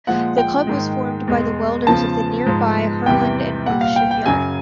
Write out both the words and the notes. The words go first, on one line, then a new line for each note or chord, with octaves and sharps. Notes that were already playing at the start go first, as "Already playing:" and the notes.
The club was formed by the welders of the nearby Harland and Wolff shipyard.
A#2 F3 G#3 F#5
G5
G#2 D#3 G#3
E2 B2 G#3
E2 C#3 F3 A5
G#2 F3 G#3
E2 C3 E3 G3 G5
A#2 G3 F#5
F5
G5
G5
F#2 C#3 F#3 G#5